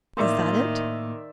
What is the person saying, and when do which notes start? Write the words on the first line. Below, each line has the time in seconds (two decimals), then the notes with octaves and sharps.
Is that it?
0.17 A2 D#3 A#3 C5 D5 E5